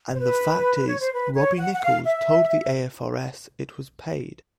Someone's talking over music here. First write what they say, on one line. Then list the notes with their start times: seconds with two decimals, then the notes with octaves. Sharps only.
And the fact is Robbie Nichols told the Afrs it was paid.
0.14 C5
0.19 B4
0.88 C#5
1.00 C5
1.13 B4
1.36 C#5
1.58 F#5
1.74 F#5
1.82 F5
2.06 E5